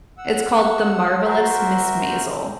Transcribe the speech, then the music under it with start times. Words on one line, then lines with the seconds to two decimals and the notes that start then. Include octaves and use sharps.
It's called The Marvelous Miss Maisel.
0.18 F#5 E6
1.24 F#4 A#4 C5 E5